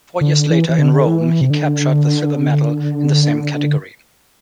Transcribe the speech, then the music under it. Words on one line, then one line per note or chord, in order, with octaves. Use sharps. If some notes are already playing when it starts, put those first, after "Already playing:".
Four years later in Rome he captured the silver medal in the same category.
D3
E3
E3
D3
E3
C3
D3